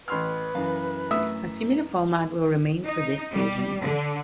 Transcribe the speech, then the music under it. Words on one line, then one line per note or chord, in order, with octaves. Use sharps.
A similar format will remain for this season.
A1 B4 C6 F6
F#2 E3 F5
A3 E5 D#6 E6
D#4
G3
D3